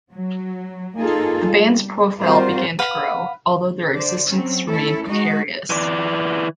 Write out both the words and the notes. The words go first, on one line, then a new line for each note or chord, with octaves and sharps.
The band's profile began to grow, although their existence remained precarious.
F#3
A#3 D#4 F4 G#4 A4
G3
G3 C4 F4 F#4 A#4 C5
B4 F5 F#5
D3 C5 D5
F#3 C4 C#4
A3 C#4 E4 A4
G#3 D#4 F#4 D#5
E3 D5